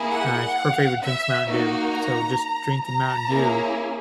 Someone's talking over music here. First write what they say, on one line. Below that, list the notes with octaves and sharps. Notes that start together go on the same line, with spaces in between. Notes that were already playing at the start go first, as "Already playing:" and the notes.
uh, sh her favorite drink's Mountain Dew, so just drinking Mountain Dew
Already playing: A#3 E4 G#4
F#5
E5
A#3 D#4 F#4
A#5
A#5
A#3 C#4 E4 G#4